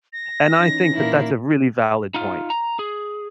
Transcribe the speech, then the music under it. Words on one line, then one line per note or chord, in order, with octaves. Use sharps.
And I think that that's a really valid point.
A#6
E3 C#4 D#4
A#2 A#3 E4
D#4 F4
A#5
G#4